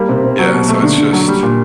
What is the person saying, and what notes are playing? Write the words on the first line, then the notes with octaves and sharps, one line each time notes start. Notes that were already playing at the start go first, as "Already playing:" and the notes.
Yeah, so it's just
Already playing: G3 A#3
C3
C3
F#3
B2
A3
D3 D4
D3
F#3
G3
A#2